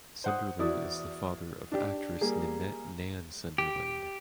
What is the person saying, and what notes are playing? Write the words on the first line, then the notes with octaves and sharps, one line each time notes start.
Sunderland is the father of actress Ninette "Nan" Sunderland.
C5 F#5 D#6
E2 E4 F#4 D5 D#6
D4 G4
G3 A#3 G#4
G4